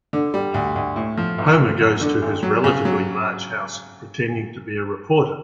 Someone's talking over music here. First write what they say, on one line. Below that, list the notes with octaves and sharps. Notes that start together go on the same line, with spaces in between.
Homer goes to his relatively large house pretending to be a reporter.
D3
G3
D2
D2
A2
F3
B1
A3
F#2
D3
G#1
F#3
C#3
F#3